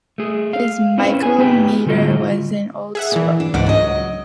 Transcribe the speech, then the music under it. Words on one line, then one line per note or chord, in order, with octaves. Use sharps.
His micrometer was an old spoke.
A3 G#4
F5
C4 C#4 E4 B4 C5
G#4 G#5
B3 D#4 G4 B4 G5
A2 D3 G3 F4 F#4 D#5
G#4 E5 F#5
A#2 E3
D4
C#2 G#2 D4 F#5
F#3 D#5